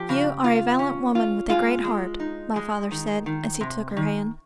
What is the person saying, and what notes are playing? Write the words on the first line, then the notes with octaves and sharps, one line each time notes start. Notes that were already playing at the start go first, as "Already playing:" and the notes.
"You are a valiant woman with a great heart," my father said, as he took her hand.
Already playing: F3 G4
C#3
F4
C#4
F4
G#3 F4
G#3
D#4
G#3
D#3
D#3
C3
D#3